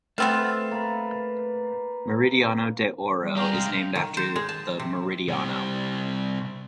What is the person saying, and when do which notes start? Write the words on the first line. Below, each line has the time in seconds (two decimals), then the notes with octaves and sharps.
Meridiano De Oro is named after the "Meridiano".
0.18 A3 B3 C4 F4
0.71 A#3 B4
3.23 G3
3.37 G4 G#4 F5 G5 A#5
3.54 C3 G#3
3.95 D#3
4.17 C5
4.36 G#3
4.49 A5
4.80 C3
5.28 C3 G3